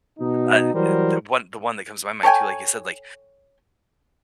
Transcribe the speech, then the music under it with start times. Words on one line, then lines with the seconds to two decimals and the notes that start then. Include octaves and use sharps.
uh, th the one the one that comes to my mind too, like you said, like
0.19 B2 D#4
0.73 E3 F#3 G3 A#4 C5
2.23 A4 C#5 G5 G#5